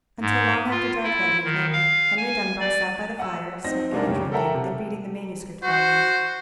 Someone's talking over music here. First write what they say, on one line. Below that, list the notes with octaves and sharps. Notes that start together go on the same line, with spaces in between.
Until long after dark that evening, Henry Dunbar sat by the fire, smoking and drinking, and reading the manuscript volume.
G#2
F4
E4
D#3
F5
G#5
D5
F#5 E6
C4 D#4 A#6
C2 G#3 D4 D#4 A#4
F#2 C#3 G4
A4 A#4 E5 F#5 G5 A#5
C3
F#4 C5